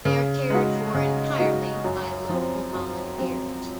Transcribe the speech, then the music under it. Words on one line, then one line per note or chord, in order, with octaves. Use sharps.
They are cared for entirely by local volunteers.
C#3
G#3 D#4 F#4
C#3
G#3 D#4 F#4
F#2
F3 C4
F#2
F3 C4